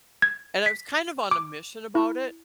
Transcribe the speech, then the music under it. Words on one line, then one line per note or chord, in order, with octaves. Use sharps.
And I was kind of on a mission about it,
G#6
B6
D6
E4